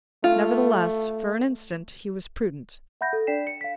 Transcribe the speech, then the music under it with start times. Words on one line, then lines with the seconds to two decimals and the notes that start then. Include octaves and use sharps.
Nevertheless, for an instant, he was prudent.
0.24 A3 F4
3.01 E5 F#5 B5 G6 A#6
3.13 A4
3.27 D4 D5 G5 B6 C7 E7
3.47 C#7
3.61 F5 B6